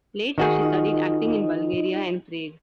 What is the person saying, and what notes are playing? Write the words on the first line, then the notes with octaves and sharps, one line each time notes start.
Later, she studied acting in Bulgaria and Prague.
D#3 F#4 G#4
D#4 F4 D#5